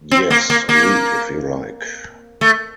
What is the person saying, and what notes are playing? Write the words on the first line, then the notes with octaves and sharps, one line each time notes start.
Yes, read if you like.
C4
A#3
A#3
A#3
A3